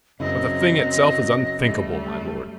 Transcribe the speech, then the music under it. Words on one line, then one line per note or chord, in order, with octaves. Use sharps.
But the thing itself is unthinkable, my lord.
F#2 C#3 F#3 C4 E4 D#5
G3 A3